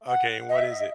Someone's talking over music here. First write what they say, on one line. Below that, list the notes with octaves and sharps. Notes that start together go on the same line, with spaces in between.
Okay, and what is it?
F#5
D#5
E5
D#5